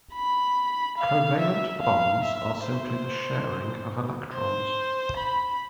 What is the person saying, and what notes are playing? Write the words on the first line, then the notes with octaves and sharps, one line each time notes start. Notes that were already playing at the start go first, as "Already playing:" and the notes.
Covalent bonds are simply the sharing of electrons.
B5
F5
E5
F5
E5
C5
C5
B5